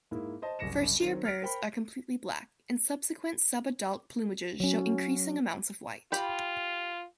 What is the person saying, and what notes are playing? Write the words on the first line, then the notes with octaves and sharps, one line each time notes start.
First-year birds are completely black, and subsequent sub-adult plumages show increasing amounts of white.
G#2 A#3 E4
C5 D#5 A5
F#1 C2 G4 A#6 C#7 E7
D#3 F#3 C4
F6 A6 B6 C#7 D7
A#4 C5 G5 B5
F#3 C#4
F4 G4 B5